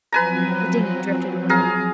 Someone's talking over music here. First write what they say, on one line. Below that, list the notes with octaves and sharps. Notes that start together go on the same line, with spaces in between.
The dinghy drifted away.
F3 F#3 C4 B4 G#5 A#5
G#4 F5 A#5